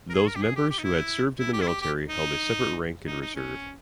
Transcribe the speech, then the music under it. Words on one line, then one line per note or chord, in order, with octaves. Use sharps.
Those members who had served in the military held a separate rank in reserve.
A#4
G#4
A#4
G4
G#4
G4
G4
D#4
E4
E4
G4
E4
G4
G4
D#4
D#4
D#4
C#4